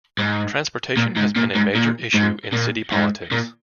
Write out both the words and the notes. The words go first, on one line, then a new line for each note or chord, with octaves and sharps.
Transportation has been a major issue in city politics.
G#2
A#2
G#2
A#2
G#2
A#2
G#2
A#2
G#2
A#2